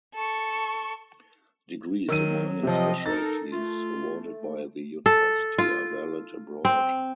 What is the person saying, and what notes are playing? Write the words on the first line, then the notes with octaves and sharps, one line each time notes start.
Degrees in mining specialities awarded by the University are valid abroad.
A4 C#6
D#3 F#3 E6 D#7
C3 F3 C4 D#5
D#4 A4 A#4 A6
A3 F4
A4
F4
C4